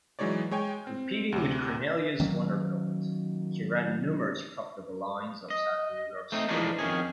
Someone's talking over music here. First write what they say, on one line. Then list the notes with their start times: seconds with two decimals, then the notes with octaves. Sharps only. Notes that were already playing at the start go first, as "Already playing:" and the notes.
Competing with Cornelius Vanderbilt, he ran numerous profitable lines outside of New York City.
0.19 E3 F#3 G#3 D#4 C#5 D5
0.51 G#3 C#5 G5 G#5
0.87 C4
1.32 D2 C3
2.20 D#3 F#3 A#3 C#4
5.50 D#5
6.32 A3 C4 D#4
6.48 E3 F3 G#3 A3 D4 D#4
6.79 F2 D#3 C#4 G#4